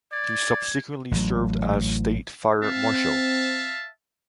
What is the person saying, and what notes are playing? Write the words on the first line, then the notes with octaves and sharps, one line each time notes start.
He subsequently served as state fire marshal.
D5 G#6
A1 F#3
C4 E5 F5 A5